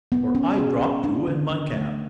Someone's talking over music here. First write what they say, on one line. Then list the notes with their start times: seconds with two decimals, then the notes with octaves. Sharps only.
For I dropped you in my cab.
0.12 B3
0.35 C#4
0.58 G#4
0.81 C#4
1.04 D4
1.27 D3
1.50 D4
1.73 A3